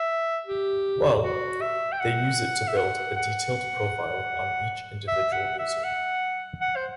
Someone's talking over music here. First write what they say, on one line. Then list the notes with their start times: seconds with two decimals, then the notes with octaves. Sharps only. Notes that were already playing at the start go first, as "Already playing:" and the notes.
Well, they use it to build a detailed profile on each individual user.
Already playing: E5
0.47 G4
1.24 F#4
1.61 E5
1.92 G5
2.00 F#5
2.68 E5
2.77 F#5
3.16 F#5
5.08 E5
5.32 F#5
5.59 E5
5.84 F#5
6.61 F#5
6.76 C5